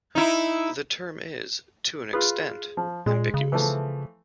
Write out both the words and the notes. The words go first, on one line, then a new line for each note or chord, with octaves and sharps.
The term is, to an extent, ambiguous.
D#4 E4
F4 G#4 B4
F3
A#2 G#3
C#3
E3 F3 A3